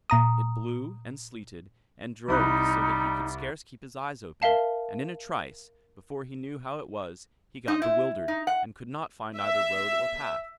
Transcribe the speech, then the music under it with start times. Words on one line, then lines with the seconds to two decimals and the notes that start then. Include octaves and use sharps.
It blew, and sleeted, and drove so that he could scarce keep his eyes open; and in a trice, before he knew how it was, he got bewildered, and could not find either road or path.
0.10 A#2 A#5 D#6
2.28 C2 G3 D#4 B5 F#6
4.42 A#4 E5 F5 A5
7.68 D#4
7.82 E4
8.28 D#4
8.47 F#5
9.37 E5